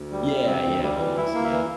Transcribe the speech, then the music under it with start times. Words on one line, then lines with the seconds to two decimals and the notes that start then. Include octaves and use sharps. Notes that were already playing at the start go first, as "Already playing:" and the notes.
Yeah, yeah, almost, yeah.
Already playing: D2
0.12 G3
0.28 C3
0.46 C4
0.64 D2
0.82 G3
0.99 E3
1.17 E4
1.34 A#3
1.52 E3